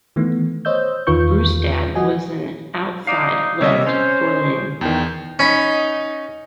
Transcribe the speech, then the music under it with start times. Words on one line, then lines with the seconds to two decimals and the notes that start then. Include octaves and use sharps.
Brustad was an outside-left for Lyn.
0.16 D#3 E3 A3 B3
0.65 C5 C#5 D#5 E6 G6
1.07 E2 D#3 F4 B4 C#6 G6
1.95 F3 F#4 D#5 G#5
3.07 D#4 D5 F5
3.61 C3 G3 A#3 C#5 D#5 E5
3.86 C#4 C5
4.81 E2 D#3 G5
5.39 C#4 D#4 B5